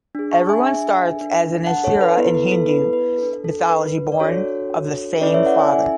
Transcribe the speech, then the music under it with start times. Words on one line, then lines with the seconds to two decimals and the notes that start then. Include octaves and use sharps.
Everyone starts as an Asura in Hindu mythology, born of the same father.
0.15 D4 G#4
0.32 A5 C#6
0.49 E5 G#5
0.66 E5 G#5
1.16 D4 A4
1.66 F#5 A5
1.84 A4 C#5
2.01 B4
2.17 B3 E4 A4 B4
2.35 B4
2.52 A4
2.69 B4
2.93 B4
3.18 D4 A4
3.44 A4
3.69 B4
4.12 D5
4.20 D4 F#4 A4 C#5
5.21 C#4 E4 A4 B4 D5
5.34 C#5 E5
5.46 D5 F#5
5.59 E5 G#5
5.72 E5 G#5